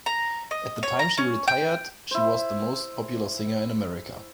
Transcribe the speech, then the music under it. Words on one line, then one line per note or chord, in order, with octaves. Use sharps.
At the time she retired, she was the most popular singer in America.
A#5
D#5
C#5
A#5
C#4
G5
E4 C5